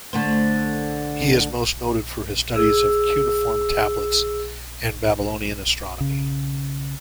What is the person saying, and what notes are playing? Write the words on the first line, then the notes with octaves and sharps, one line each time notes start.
He is most noted for his studies of cuneiform tablets and Babylonian astronomy.
D3 A3 C5
G#4 E6
C#3